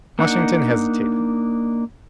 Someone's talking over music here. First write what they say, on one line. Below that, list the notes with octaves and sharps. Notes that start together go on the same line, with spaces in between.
Washington hesitated.
A#3 D4 D#4 F#5